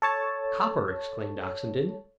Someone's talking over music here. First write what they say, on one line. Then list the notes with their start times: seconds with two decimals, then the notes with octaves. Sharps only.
"Copper!" exclaimed Oxenden.
0.02 A4 C#5 A5